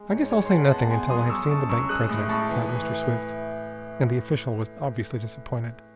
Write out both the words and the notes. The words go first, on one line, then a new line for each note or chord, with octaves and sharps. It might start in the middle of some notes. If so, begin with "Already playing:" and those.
"I guess I'll say nothing until I have seen the bank president," replied Mr. Swift, and the official was obviously disappointed.
Already playing: G#3
G#2 C#5
G#3 C#5
C6
G#3 F#5 A5
E2 F#5 A5
E2 G#5 C6
F#3 C6 D#6
F#3 C#6 E6
F#2 A5 C#6
F#3 C#6 E6
G#3 D#6 F#6
A2
A2 A5 C#6
E3
E3